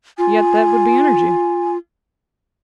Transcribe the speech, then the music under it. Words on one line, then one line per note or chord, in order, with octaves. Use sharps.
Yet that would be energy.'
F4 G#5